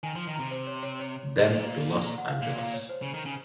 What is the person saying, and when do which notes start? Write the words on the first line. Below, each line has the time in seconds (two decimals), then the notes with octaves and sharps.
Then to Los Angeles.
0.03 D#3 G#5
0.16 F3
0.27 D#3
0.35 C3 A#5
0.51 C5
0.67 C#5
0.83 C#5
0.99 C#5
1.38 C3
1.46 A#2 C5
2.06 A#5
2.18 F#5
2.31 F5
2.42 A#2 F5
2.58 F5
2.74 C#5
2.89 C5
3.02 C#3
3.14 D#3
3.25 C#3